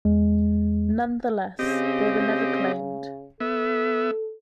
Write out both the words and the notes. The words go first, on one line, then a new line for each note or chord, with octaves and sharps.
Nonetheless, they were never claimed.
E2 G#3
C#3 C4 G4 D#5
B3 A4 E5